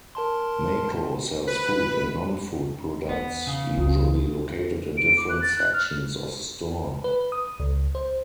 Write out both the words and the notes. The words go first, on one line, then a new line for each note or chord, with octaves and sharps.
Makro sells food and non-food products, usually located in different sections of the store.
A#4 A5 C6
B4
E2 B3
C#3
C#2
D7
D6
F#6
A6
F#6
F6
B4
D#6
C#2
C5